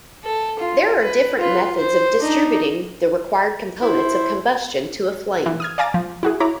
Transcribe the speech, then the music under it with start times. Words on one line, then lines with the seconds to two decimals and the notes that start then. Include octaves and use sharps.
There are different methods of distributing the required components of combustion to a flame.
0.24 A4
0.59 F4
1.01 B4
1.39 F4 B4
1.77 C5
2.18 D4 D#4
3.82 E4 C5
5.46 E3
5.60 D#6 F6 G#6
5.78 D5 F5 G#5 A#5 D6 A6
5.94 F3
6.23 E4 F#4 G#4
6.40 E4 C#5 A#5 B5 D6